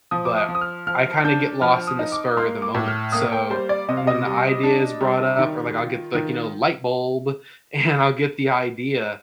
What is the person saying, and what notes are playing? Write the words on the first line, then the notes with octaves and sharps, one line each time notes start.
But I kinda get lost in the spur of the moment. So, when the idea is brought up, or like I'll get like, you know, light bulb, and I'll get the idea,
F3 D#6
D6
D#6
F3
D#6
F6
F3 F6
D4 G6
F3 F6
D#6
D#4
D6
A#3 C6
D6
A2
F6
A#3 D#6
G5
G3 C5
D5
C3 D#5
F5
D#5
G3
D4
G3
D#3
F4
D#3